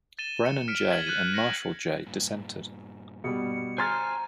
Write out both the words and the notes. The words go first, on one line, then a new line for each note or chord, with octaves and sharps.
Brennan J and Marshall J dissented.
A6 D#7 E7 G7
C#7
F6 B6 C#7 D7
G#6 A6 B6 F#7 G7
F#6 G6 A6 D#7
A#6 C#7 F#7
G2 A#2
B2 G3 C#7
C5 G5 G#5 A#5 C6 F6 G#6 A6